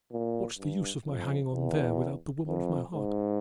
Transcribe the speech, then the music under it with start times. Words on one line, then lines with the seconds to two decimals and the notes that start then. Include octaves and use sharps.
What's the use of my hanging on there without the woman of my heart?
0.12 A#2
0.58 G2
1.06 F2
1.53 E2
2.47 F2
2.94 G#2